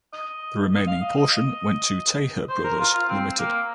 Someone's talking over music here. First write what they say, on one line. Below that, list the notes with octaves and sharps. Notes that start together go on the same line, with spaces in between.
The remaining portion went to Taher Brothers Limited.
D#5
D#5
F5
D#5
D#5
D#5
C5
A#4
F4
F4
C4
A#3